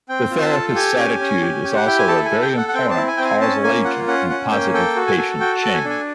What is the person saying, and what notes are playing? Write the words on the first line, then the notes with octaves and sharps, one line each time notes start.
The therapist's attitude is also a very important causal agent in positive patient change.
C4 G5
F4
A5
A4
G4 G#5
C#4
C#4
G4
G4
F#5
E4 G5
G#5
A4 A5
G#5
A4
G5
A4 F#5
F#5
C4 G5
A5
E4
G#5
C4 G5
G#5
C#4 A5
A#3 G#5
F4 F#5
C#4 F#5
C#4 F#5
A#3 G5
A4 G5
F#4
G#5
A4
F#4 G5
A5
A4
G#5
D4
G#5